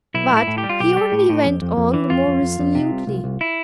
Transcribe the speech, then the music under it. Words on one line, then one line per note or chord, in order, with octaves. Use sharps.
But he only went on the more resolutely.
B1 E4
A2 E4
A2
G4
G3
F4
B1 G4
G3
A2
A2
F2
F2
F2
E3
F2 F4
F2
F2
F2
C3
C2
C2
C2
E4